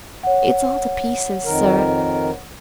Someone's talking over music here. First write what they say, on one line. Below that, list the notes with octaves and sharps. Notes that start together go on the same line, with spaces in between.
'It's all to pieces, sir.
C#5 F#5
F2 D#3 A#4